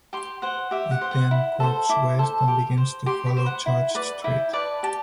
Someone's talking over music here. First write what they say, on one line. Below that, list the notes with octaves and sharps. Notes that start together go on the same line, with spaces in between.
It then curves west and begins to follow Church Street.
G4 C6
C5 F#5
G4 E5
F#5
C5
F#5
E4
A4 C5
E4 D6
A4 C5
G4
C5
G4 C6
B5
C5
F#5
E4
B4 D5
E4 G5
B4 D5 A5
G4 A5